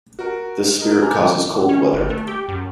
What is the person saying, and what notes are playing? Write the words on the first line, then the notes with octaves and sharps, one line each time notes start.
This spirit causes cold weather.
F#4 A#4
A#4 D#5
G#5 A#5 D6
D#3
C#4
G1
A3
G4
F#2